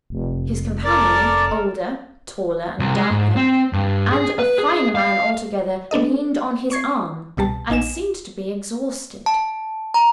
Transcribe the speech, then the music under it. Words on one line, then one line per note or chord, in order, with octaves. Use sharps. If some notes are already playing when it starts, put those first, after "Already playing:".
His companion, older, taller, and darker--and a finer man altogether--leaned on his arm and seemed to be exhausted.
F1
A4 A#4 D5
C2
G#3
G#2
C4
G2
G#4
B4
G#4
F5
B3 D4 A4 D#5
C4 C#6 G#6 C7
C2 B2 G3 A5
A#1 D#4 G#5 E7
A5
A#5